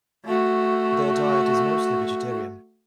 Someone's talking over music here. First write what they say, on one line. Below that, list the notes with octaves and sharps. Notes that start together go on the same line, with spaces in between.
Their diet is mostly vegetarian.
A3 F#4